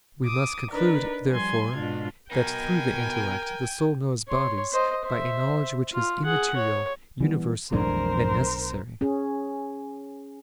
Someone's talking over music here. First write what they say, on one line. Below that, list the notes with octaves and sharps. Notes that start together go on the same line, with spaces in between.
We must conclude, therefore, that through the intellect the soul knows bodies by a knowledge which is immaterial, universal, and necessary.
D6 D#6
D4 D#4 A#4 B4
F3 G3 G#5 C6 G#6
G#2 B2 D4 F4
B2 D#4 A#4 G5 G#5
C#5 C6
C5 D#5
C5 E5
F4
G#4 F#5
C#5
E3 G3 B3
B1 F2 E3 G#3 A3 D4 A#4 C5
C#4 G#4